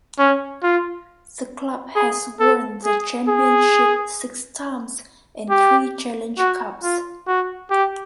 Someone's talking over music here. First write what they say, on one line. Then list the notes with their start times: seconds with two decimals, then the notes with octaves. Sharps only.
The club has won the Championship six times and three Challenge Cups.
0.19 C#4
0.63 F4
1.96 G#4
2.40 A4
2.85 G#4
3.28 G#4
5.50 G4
6.38 F#4
6.83 F4
7.27 F#4
7.71 G4